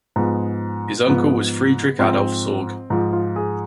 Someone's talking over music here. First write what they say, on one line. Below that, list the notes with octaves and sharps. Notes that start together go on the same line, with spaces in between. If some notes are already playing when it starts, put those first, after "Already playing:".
His uncle was Friedrich Adolf Sorge.
G#2 F3 B3
G#2 F3 B3
G#2 F3 C4
G#2 F3
F4
G#4